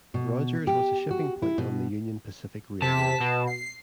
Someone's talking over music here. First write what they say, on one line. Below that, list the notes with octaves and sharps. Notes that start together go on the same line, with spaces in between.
Rogers was a shipping point on the Union Pacific Railroad.
B2
G4
F#4
E4
B2
C3 A5 B6
B2
C7